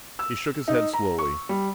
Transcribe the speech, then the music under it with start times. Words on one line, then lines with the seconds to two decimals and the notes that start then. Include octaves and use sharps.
He shook his head slowly.
0.19 E6
0.68 D#4
0.93 A#5
1.18 C#6
1.49 G3